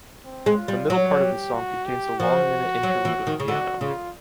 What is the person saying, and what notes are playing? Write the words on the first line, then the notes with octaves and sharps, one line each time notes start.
The middle part of the song contains a long minute interlude of piano.
C4
G#3
F4
G3
F#3 F#4
G4
F#4
G4
F3 F#4
F#3
E3
D#3
C#3
D3 F#4
C#3 F4